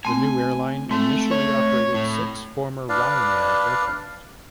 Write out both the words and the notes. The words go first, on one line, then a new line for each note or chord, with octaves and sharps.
The new airline initially operated six former Ryanair aircraft.
A3 C4 G#5
G#3 A3 C4
C#5
A2
D4 B4 D5 F5